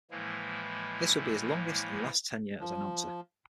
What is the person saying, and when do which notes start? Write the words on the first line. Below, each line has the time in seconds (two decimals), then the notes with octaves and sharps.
This would be his longest and last tenure as announcer.
0.11 A2 E3 F3 G#3 A#3 E4
2.60 F3